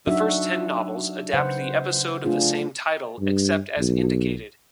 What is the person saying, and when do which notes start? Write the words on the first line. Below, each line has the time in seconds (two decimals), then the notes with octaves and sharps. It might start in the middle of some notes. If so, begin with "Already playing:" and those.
The first ten novels adapt the episode of the same title except as indicated.
0.07 F#3 D4 D#4 F#4 E5
1.33 C#3 B4 C5 F#5
2.25 A3 D4 F4 G#4
3.20 G2
3.78 B1